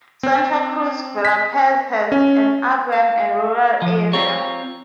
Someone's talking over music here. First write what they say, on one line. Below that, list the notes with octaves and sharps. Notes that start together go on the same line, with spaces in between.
Santa Cruz Verapaz has an urban and a rural area.
C4
B6
C#4
F5 A5 E6
F3
C4 F4 C#5 A#5 E6